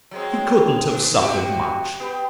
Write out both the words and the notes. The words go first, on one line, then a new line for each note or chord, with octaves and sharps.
He couldn't have suffered much.'
F#3 G#3 C4
D#3
C3 F#4 G4
B3 G4